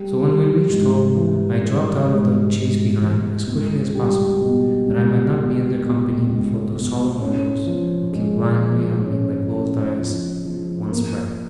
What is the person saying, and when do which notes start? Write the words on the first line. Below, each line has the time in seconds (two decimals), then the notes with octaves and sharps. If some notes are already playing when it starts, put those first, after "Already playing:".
So, when we reached home, I dropped out of the chaise behind, as quickly as possible, that I might not be in their company before those solemn windows, looking blindly on me like closed eyes once bright.
Already playing: G3
0.22 G3
0.69 G#2
1.16 E3
1.62 G3
2.09 G#2
2.56 G#2
3.02 E3
3.48 C#2
3.95 G3
4.41 B2
4.88 C#2
5.34 B2
5.80 B2
6.27 C#2
6.73 B2
7.20 C#4
7.66 F3
8.13 G#3
8.59 F3
9.06 C#4
9.52 C#4
9.98 F3
10.45 F3
10.92 A#3